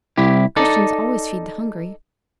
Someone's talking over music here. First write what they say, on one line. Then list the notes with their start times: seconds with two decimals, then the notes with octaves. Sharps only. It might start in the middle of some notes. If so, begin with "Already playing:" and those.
Christians always feed the hungry.
0.17 C2 E4 G4
0.56 D#4 A4 D5